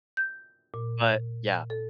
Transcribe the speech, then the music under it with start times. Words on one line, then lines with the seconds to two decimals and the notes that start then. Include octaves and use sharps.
but yeah.
0.17 G6
0.74 A#2
1.70 A4